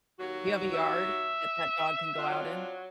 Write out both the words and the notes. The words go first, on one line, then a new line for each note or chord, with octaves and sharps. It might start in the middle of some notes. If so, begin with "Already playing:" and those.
You have a yard that that dog can go out in?
D#2 F#3 F#4
E5
C4 D4 F4
F#3